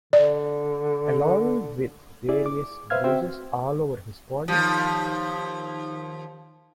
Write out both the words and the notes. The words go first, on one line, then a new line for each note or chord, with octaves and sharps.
Along with various bruises all over his body.
D3 D5
E4 G#4 D5
D6
B4 C5 E5 F5 F6 G#6
C4 F#4 C5 E5 G5
D#2 F3